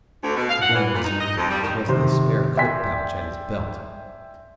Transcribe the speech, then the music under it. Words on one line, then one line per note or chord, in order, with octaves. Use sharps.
The gun was empty, as was the spare clip pouch at his belt.
D2
B2
F5
F#5
E3
A#2
D#4
D#5
F2
G3
D#3
C3 D#3 C5 C6
D5 E5 G5 G#5 C6 B6